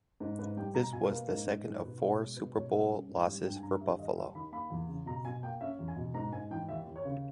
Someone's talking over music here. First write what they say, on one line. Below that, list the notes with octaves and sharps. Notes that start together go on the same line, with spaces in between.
This was the second of four Super Bowl losses for Buffalo.
G#2
G#2 B4
G3 G5
B2 A#5
B2 G#5
A#4
A#3 B4
G#2 A#4
G#2 G#4
D#3 G#4
B2 B4
B2
C#5
G#3
B2 B4
B2 C#5
G3 E5
C#4
G#2
G3
G2 G5
G#5
G2 A#5
G3 E5
D#2 D#5
D#2 E5
D#3 B5
A#3 B5
E2
C#3
B2 A#5
B2 G#5
A#3 G5
C#4 E5
E2
G#5
B2
G#2 A#5
G#2 G#5
E3 G5
D#2 E5
D#2
C#5
C#3